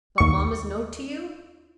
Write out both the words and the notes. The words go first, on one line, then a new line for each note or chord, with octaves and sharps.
"But mamma's note to you?"
D#2 C#6